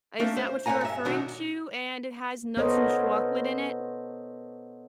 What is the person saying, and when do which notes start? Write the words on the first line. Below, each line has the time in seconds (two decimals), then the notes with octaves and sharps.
Is that what you're referring to, and it has nuts and chocolate in it?
0.20 A3 A#3 C#4 D4
0.36 C5
0.66 B4 C#5 D5 F#5 G#5 A#5
0.81 G2 E5
1.05 B2 D#3 F#3 D4 D#4 F#4
2.57 B3 A4 A#4 C5 C#5 D#5